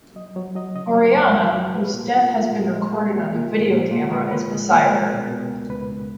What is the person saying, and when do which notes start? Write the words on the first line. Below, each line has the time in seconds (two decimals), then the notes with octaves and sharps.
Orianna, whose death has been recorded on a video camera, is beside her.
0.15 F#3 D#5
0.36 F#3 C#5
0.56 F#3 D#5
0.75 C#3 D#5
0.95 F#3 C#5
1.15 F#2
1.35 F#3
1.55 F#3
1.74 A#2 B4
1.93 A#2
2.13 A#2
2.34 A#2
2.53 G#3
2.73 G#3
2.93 G#3
3.13 A#2
3.32 A#2
3.52 G#3
3.72 A#2
3.92 A#2
4.12 G#3 B4
4.31 A#2 B4
4.51 G#3 G#4
4.71 A#2 A#4
4.91 G#3
5.11 B2
5.31 B2
5.49 C#2
5.70 C#2 B4
5.89 C#2